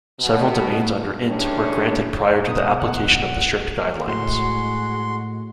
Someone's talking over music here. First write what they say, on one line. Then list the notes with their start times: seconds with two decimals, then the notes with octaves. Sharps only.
Several domains under "int" were granted prior to the application of the strict guidelines.
0.20 B2
1.26 D#3 E3 G3 G#3 C#4 D4
2.47 B2 A#4 D#6
2.80 F#5
4.08 A2 G#3 F#4 C6